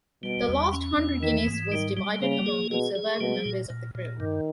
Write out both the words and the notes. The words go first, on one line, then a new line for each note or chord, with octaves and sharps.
The last hundred guineas was divided among the surviving members of the crew.
B2 G3
E2
C#4
E2
D#3 E3
G#2
D#3 G3
G3
C#3 A#3
G#4
B2 G#4
G#4
B2 G3
A#2
A#2
A#2
G2 D#3